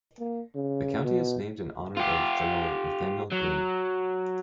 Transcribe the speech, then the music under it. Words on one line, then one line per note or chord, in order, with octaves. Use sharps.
The county is named in honor of General Nathanael Greene.
A#3
C#3
B2
F4 G4
F#3